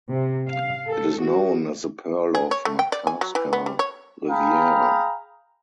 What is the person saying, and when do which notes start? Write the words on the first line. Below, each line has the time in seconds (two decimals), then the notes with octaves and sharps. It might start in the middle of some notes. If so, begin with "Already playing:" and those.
It is known as the pearl of Makarska riviera.
0.12 C3
0.50 F5
0.88 A4
1.21 F#4
2.35 G#4
2.51 C#5
2.65 A3
2.79 G5
2.92 D5
3.07 G#5
3.21 F#3
3.35 E3
3.53 B3
3.66 G3
3.79 C#5
4.30 G#4 F5 G5 A#5 B5